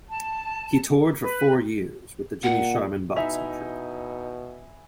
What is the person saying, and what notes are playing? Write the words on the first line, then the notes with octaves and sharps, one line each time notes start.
He toured for four years with the Jimmy Sharman Boxing Troupe.
A5
B4
A#2 F#5
B2 D#4 E4 E5 G#5 F7